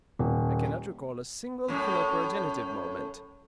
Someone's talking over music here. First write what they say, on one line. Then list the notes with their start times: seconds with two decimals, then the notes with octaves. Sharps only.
I cannot recall a single philoprogenitive moment.
0.19 D#1
1.68 F#2 A2